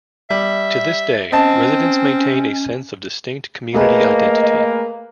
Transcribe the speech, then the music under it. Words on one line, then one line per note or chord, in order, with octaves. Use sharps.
To this day, residents maintain a sense of distinct community identity.
G3 E5
C4 C#4 D#5 A5
A3 A#3 G#4 B4 D#5